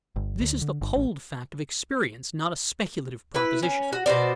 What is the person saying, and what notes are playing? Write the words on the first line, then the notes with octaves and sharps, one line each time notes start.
This is the cold fact of experience, not a speculative proposition.
G1
D2
D3
G1
A1
E4 B4
C#4
F#4
B2 F#4 C5 D5